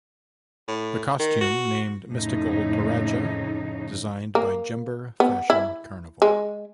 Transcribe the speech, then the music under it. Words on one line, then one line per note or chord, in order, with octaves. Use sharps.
The costume named ""Mystical Toraja"" designed by Jember Fashion Carnival.
A2
D#3
F#4
F2 A2 C#3 D#4
A#3
B3
E4
G#3